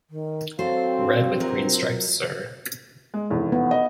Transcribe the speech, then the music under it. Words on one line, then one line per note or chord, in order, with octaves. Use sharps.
Red, with green stripes, sir.
D#3
F#3 C4 A4 C5 F5
C3 F#3 F4 A#4
G#3
F1 E2
B3
D#5